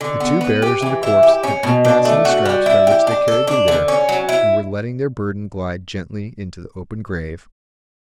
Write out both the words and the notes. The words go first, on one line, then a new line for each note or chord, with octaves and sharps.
The two bearers of the corpse had unfastened the straps by which they carried the litter, and were letting their burden glide gently into the open grave.
D3
B3
B4
G4
E3
E4
G4
C#4
B2
D4
A3
F#4
G3
E4
G4
D4
A4
D4
D3
C#4
F#3
E4